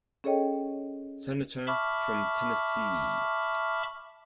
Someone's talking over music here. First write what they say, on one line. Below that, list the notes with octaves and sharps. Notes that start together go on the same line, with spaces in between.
Senator from Tennessee.
C#4 G#4 A4 C#5 D#5 G5
E5 A5 B5 C#6 D6 F6